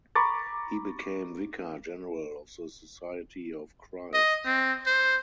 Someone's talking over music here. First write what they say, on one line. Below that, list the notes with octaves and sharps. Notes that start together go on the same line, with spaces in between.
He became vicar general of the Society of Christ.
A#5 B5 C#6 D6 A6
D#5
C4
C5